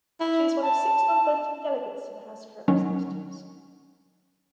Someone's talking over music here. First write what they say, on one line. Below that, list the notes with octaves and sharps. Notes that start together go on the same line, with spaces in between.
She is one of six non-voting delegates to the House of Representatives.
E4
A5
D#3 F#3 C#4